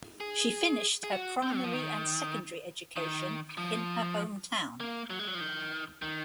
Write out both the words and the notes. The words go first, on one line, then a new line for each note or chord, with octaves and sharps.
She finished her primary and secondary education in her hometown.
G#4
G#4
F#4
C4
F#3
F3
D#3
D#3
F3
A#3
F#3
G#3
F#3
F3
D#3
D#3